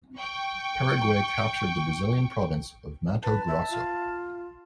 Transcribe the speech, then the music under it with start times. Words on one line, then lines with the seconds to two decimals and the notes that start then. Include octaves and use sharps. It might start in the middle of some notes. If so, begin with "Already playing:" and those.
Paraguay captured the Brazilian province of Mato Grosso.
0.17 G5 C#6
3.24 B4 A5
3.48 E5
3.70 F4